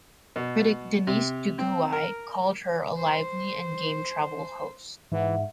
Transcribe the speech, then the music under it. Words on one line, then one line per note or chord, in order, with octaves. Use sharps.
Critic Denise Duguay called her a "lively and game travel host".
B2
C3
C4
A#4
C5
G#2 E3 E5 F#5